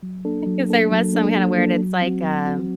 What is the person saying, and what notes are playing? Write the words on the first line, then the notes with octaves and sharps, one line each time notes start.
'cause there was some kinda word, it's like, uh
F#3
A#3 D4 A4
F#3
A#3 D4 A4
F#3
A#3 D4 A4
F#3
A#3 D4 A4
F#3
C4
F#4
F#3
C4 F#4